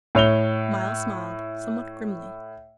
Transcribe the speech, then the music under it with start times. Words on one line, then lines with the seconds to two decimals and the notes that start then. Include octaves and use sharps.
Myles smiled somewhat grimly.
0.15 A2 C#5 F7 G7